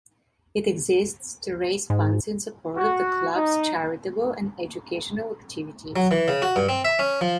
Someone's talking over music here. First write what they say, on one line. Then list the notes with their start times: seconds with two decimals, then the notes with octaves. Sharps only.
It exists to raise funds in support of the Club's charitable and educational activities.
1.90 G#2
2.76 F#4
3.35 D#4
5.96 F#3
6.11 E3
6.28 C#3
6.42 F#4
6.56 G2
6.69 C4
6.85 E5
6.99 C#4
7.21 F3